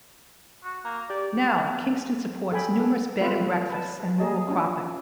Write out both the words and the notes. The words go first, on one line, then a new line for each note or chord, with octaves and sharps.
Now, Kingston supports numerous bed and breakfasts and rural cropping.
F#4
A#3 A#5
G4 D5
A4 G5 G#5 B5
A4
A3 C4 F4 B4 C5 E5
B4 A5
A#3 G#4 D#5 A5
C#4 D4 F4